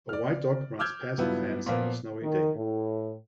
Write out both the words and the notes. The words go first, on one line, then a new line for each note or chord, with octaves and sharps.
A white dog runs past a fence on a snowy day.
D5 F6
D6 E6 F6 G6 G#6
G2 F#3 B3 E4 F4
A#2 F3 A#3 B3
D#3
A2